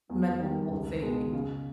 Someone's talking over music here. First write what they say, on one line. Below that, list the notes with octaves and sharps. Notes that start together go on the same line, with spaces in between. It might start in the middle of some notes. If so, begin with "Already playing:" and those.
mental health sake here.
E2
D#3 G3
C#2
B2 G#3
C#3